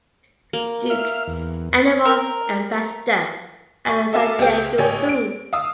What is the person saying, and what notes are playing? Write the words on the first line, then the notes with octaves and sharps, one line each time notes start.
Duke; animal ambassador at the San Diego Zoo.
A#3
E5 F5 F6
E2
A#4
G#5 C#6
A4 E5 F5 G#5 A5 D6
C#2 G4 G#4 G5 G6
A1 G4 C#5 G#5
D7
F5 D#6 E6